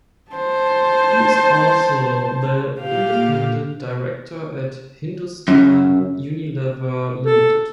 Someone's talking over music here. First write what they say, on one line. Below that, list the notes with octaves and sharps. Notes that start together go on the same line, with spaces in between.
He is also the independent director at Hindustan Unilever Limited.
C5 A5
A#2 G4 F5
F#2
A4